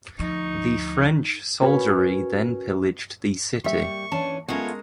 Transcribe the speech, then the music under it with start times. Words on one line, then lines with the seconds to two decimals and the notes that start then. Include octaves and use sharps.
The French soldiery then pillaged the city.
0.19 D2 F3 D#4 C#6
1.62 C#4 F#4 A#4 B4
3.64 G3 A#3 E5 C#6
4.12 E3 C#4 D4 A5
4.48 G#3 A3 B3 C#4 F4 A#4 C#5